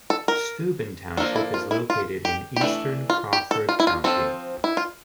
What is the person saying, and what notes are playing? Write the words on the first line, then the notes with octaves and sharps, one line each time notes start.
Steuben township is located in eastern Crawford County.
A4
A#4
F3 A#3 D4 A4
E4
F4
E4
F4
G4
G4
E3 A3 D4 A4
F4
G4
A4
F4
E4
F4
F3 A3 C4 A4
E4
F4